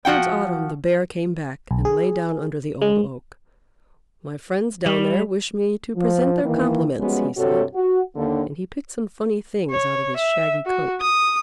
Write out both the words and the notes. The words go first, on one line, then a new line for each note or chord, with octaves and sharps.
Towards autumn the Bear came back and lay; down under the Old Oak. "My friends down there wish me to present their compliments," he said, and he picked some funny things out of his shaggy coat.
F3 F#4 F#5 G5
B1
G#4
G#3
G3
F3
D#3 E3 A#3
F3 G3 G#3 B3 C#4 F#4
G2 C3 F#4 A4 C#5
F#4
D#2 D3 A#3
C#5
E5
F#4
D#6